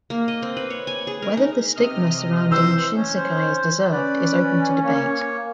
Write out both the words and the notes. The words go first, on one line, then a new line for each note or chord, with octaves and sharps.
Whether the stigma surrounding Shinsekai is deserved is open to debate.
A#3
D#5
C4
B4
C#5
G#5
G#4
A#4
D#4
C3 D#5 F6
E3 C5 E6
C#4
C5
C#4 B4 D5
A#3 C#5